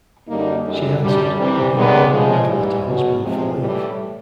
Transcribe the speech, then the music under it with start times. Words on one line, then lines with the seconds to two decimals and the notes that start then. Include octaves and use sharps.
She answered, looking all the while at her husband for leave.
0.27 F#2 D3 G3 A#3 D#4
0.63 F#2 D3 G3
1.00 F#2 D3 G3
1.36 C3 E3 G3 C4
1.73 G2 D#3 G#3 B3 D4
2.10 C#3 F3 G#3
2.47 G#2 E3 G3
2.83 E2 B2 F#3 B3
3.21 E2 C3 F3 G#3 C4
3.57 A2 E3 G3